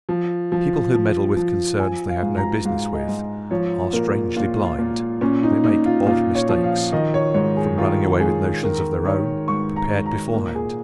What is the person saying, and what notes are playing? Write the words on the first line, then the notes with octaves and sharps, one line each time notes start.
People who meddle with concerns they have no business with, are strangely blind,--they make odd mistakes, from running away with notions of their own, prepared beforehand.
F3
F3
F3
F3
F3 G#5
F5
G#2
A#5
G#2 F5
D#5
G#2
F3 C#5
A#2 A#4
A#2 F4
F4
A#2
A#2 C#4
D#4
A#2 D#4
F4
A#2 F4
C#5
F3
F5
D#3 D#5
C#5
G#2 C#5
G#4
D#3 F4
G#2 G#4
D#3 A#4
D#3 C#5
G#2 C#6
A#5
G#2
A#5
A#2 A#4
G#4